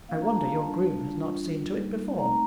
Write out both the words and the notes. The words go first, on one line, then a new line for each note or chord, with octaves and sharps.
I wonder your groom has not seen to it before.
A#3 D4 F4 F5
A#5
A5
F5
G3 D4 F4 A5
G3 D4 F4
G3 A#3 D#4
A3 C4 D#4 A#5